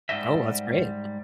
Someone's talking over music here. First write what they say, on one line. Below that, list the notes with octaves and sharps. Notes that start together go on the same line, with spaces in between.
Oh, that's great.
G#2 G3 D#5 E5